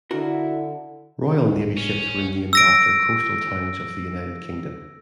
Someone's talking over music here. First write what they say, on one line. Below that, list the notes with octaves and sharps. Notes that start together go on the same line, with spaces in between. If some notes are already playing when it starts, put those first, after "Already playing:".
Royal Navy ships were named after coastal towns of the United Kingdom.
D3 E4 F#4 A#4
D1 G1
C#4
E6 A#6 D7